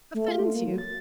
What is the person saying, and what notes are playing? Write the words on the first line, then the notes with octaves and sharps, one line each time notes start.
'Offends you!
A3
F4
A3
A#3
F#3
A6